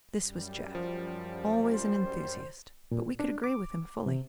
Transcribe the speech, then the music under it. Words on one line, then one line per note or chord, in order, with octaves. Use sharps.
This was Jeff, always an enthusiast; but we could agree with him fully.
F#2 G3
F3
C5
A#2
D4
D6
C3